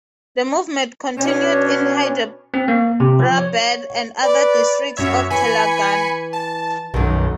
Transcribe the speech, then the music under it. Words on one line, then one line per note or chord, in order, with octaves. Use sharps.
The movement continued in Hyderabad and other districts of Telangana.
B2 C#4 D4 C#5
C4
A#3
C3
F3
C#5
B4 D5
F#2 C#5 E5
E3 G#5 B5 C#7
A5
B1 F#2 D#3